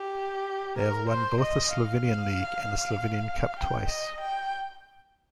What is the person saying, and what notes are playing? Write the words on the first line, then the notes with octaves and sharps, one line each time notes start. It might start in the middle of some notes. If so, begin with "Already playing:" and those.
They have won both the Slovenian League and the Slovenian Cup twice.
Already playing: G4
A#4
C5
D#5
F5
G5
D#5
G5